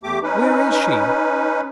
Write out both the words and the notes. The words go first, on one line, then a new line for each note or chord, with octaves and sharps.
Where is she?
E2 A3 G4 D6
C#4 D#4 B4